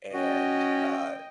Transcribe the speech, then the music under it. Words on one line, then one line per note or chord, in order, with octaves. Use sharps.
and, uh,
C#4 F#4 D#5 G5